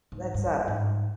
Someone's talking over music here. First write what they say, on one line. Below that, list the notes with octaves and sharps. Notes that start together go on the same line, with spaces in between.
that's a
G#2
G2
G#2